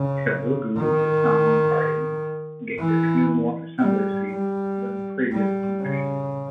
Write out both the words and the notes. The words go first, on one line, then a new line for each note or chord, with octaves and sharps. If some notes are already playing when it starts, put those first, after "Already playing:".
Telugu Desam Party gained a few more assembly seats than the previous election.
Already playing: C#3
D#3
E3
G3
G3
G3
C#3